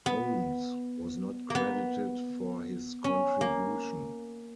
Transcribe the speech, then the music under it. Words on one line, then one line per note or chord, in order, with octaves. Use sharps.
Holmes was not credited for his contribution.
B3
A#3 B3
C#4
A#3